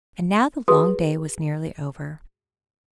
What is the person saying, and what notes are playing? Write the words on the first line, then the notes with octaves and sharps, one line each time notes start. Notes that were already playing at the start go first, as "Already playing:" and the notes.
And now the long day was nearly over.
F#4 G#4 B4 C6 D#6